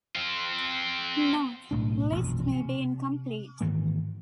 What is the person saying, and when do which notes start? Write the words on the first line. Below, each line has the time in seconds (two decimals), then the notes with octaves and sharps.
Note: list may be incomplete.
0.15 C4 F4
1.71 B1 A2 D4
2.12 E1 A#1 F#2
2.52 C3
3.61 G#2 D#3 E3 A#3